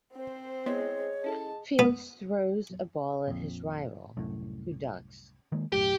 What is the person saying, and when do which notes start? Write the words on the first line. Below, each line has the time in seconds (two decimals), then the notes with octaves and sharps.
Fields throws a ball at his rival, who ducks.
0.14 C4 C5
0.66 B3 E4 G#4 C#5 D#5 C6
1.24 C#4 E4 A4 A5
1.79 B3
3.28 A#1 F2
4.17 C2 F#2 A2
5.52 D#3 G#3 A#3
5.72 B1 F#2 A2 G4